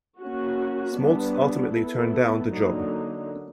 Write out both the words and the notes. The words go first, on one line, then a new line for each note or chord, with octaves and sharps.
Smaltz ultimately turned down the job.
A#3 C#4 F#4
G3 B3 D4
B3 E4 A4
D3 F#3 A#3 D#4